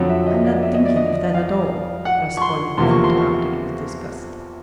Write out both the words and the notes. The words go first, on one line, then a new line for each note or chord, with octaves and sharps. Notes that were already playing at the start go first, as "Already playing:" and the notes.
"I'm not thinking of that at all," Raskolnikov interrupted with disgust.
Already playing: F2 D3 F#3
E5
D#5
D5
E5
D#5
D5
D#5
F5
F#5
C#6
C6
E2 C3 F3 A#3 C6
C#6
C6
C#6